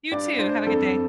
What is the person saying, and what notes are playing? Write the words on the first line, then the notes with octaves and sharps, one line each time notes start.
You too, have a good day.
G2 D5
D4 C5
F2 A4